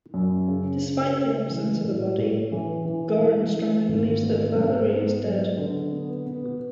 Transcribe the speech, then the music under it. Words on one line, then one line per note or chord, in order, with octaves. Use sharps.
Despite the absence of a body, Goren strongly believes that Valerie is dead.
F#2
C#3
C#3
C#3
E3
A2
A2
E3
E3
E3
E3
G#1
B3
G#2
B3
F#3
D3
B3
B3